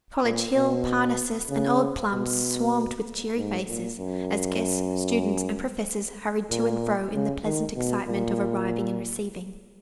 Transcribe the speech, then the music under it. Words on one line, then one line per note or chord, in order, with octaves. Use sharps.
College Hill, Parnassus, and old Plum swarmed with cheery faces, as guests, students, and professors hurried to and fro in the pleasant excitement of arriving and receiving.
A#2
B2
C#3
B2
G#2
A#2
F#2
A#2
C#3
D#3
B2
A#2